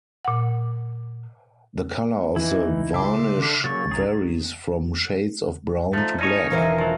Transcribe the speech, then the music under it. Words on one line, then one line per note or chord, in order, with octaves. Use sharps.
The color of the varnish varies from shades of brown to black.
A#2 F#5
E3 D#4 E4
C#2 C#3 E5 C6 D6
D3
C#3 F#3 A#3 C#6 A6
C2 G#4 A#5
D3 F3 A3 D#4
C#4 D#4 E4 C#5
E1 E4 A#4 C5 F5
C#3 F3 F#3